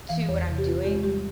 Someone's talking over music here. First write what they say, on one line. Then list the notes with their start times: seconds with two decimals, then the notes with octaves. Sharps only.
to what I'm doing,
0.09 E3 F5
0.28 E2 C#5
0.48 C3
0.58 G4
0.66 C4 F4
0.84 G#3 G4
1.03 G3 G4